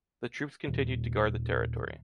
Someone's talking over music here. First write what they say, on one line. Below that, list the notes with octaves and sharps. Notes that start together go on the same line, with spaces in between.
The troops continued to guard the territory.
D#1